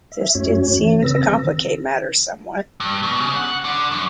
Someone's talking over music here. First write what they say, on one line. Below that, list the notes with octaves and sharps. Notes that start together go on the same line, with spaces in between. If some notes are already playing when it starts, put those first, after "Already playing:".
This did seem to complicate matters somewhat.
E5
F#2 A3 C#4 F#4 C#5
E3
C#3 C4 B4 E6 A#6
D#3
G2
B2
C#3
F#5
D3
F#2